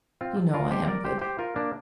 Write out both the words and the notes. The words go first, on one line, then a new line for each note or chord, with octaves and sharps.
You know I am good.
C4 F4
F4 A#4
G4 C5
A#4 D5
G4 C5
G4 C5
F4 A#4
A#3 D4